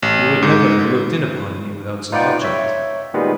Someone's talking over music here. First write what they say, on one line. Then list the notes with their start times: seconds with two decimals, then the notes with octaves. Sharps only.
You would never have looked in upon me without some object.
0.02 A1
0.43 G#2
2.12 D#4 F4 B4 D5 F#5 G5
2.42 C#5 E5
3.14 A#2 D#3 G3 G#3 B3